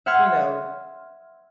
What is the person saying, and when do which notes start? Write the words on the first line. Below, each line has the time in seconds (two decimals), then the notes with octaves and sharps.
you know?
0.06 E5 F#5 C6 F6 G#6